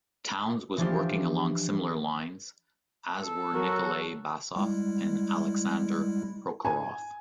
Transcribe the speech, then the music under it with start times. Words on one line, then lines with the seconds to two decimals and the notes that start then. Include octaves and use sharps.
Townes was working along similar lines, as were Nikolay Basov and Aleksandr Prokhorov.
0.77 E3 F3 G#3 D4 F4 G4
3.20 A4
3.54 F#3 F#4 A#4
4.56 G3 G#3 E4
6.65 G#5